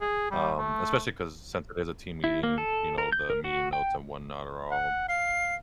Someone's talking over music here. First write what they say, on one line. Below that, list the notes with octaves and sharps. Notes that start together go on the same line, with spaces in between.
Um, especially 'cause since it is a team meeting, you know, the meeting notes and whatnot are all
G#4
G3
A3
E4
A#3
A4
A#4
G6
A#4
F#4
G5
F#5
F5 C7